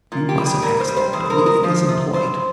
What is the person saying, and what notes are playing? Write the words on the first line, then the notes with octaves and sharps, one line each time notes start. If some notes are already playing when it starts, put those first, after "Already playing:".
"You mustn't ask that, Billie; it isn't polite!"
A#2
G4
G3
G#4
A#2 A#4
C5
G3
C5
E2 C5
A#4
G#3
A#4
F3 C5
C3
G2 C5